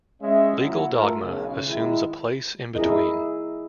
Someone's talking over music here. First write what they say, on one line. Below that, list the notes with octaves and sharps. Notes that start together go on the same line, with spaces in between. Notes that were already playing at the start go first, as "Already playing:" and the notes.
Legal dogma assumes a place in between.
G#3 C#4 E5
A#2 F#3 E4 F#5
A3 F4 A4 A#4
B1 C#3
D#3 G#3 E4
E4 G#4 A#4 D#5